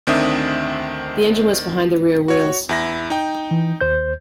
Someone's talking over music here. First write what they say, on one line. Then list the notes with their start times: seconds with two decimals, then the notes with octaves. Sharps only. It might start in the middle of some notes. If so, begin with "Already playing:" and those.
The engine was behind the rear wheels.
0.07 D2 D#3 C4 D4 E5 D#6
2.28 F#4 C#5
2.69 E2 E4 A#6
3.10 D#4 G5
3.51 E3
3.81 D#2 C5 G6